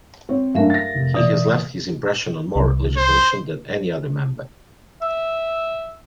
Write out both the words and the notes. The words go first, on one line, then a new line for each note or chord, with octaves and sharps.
He has left his impression on more legislation than any other member.
C4 C#5
F#2 A3 D4 A#4 E5 F5
A6 A#6
F1
B2 E3 D5 D#6
C2
C5
E5